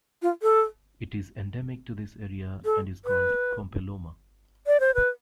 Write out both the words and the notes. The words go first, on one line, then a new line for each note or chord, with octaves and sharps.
It is endemic to this area and is called Kompelloma.
F4
A4
A4
B4
D5
C5
B4